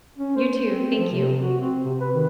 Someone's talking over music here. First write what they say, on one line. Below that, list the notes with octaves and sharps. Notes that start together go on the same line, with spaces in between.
You too. Thank you.
C#4
C5
C4
F3
C3
F#4
C4
C3
B4
D#3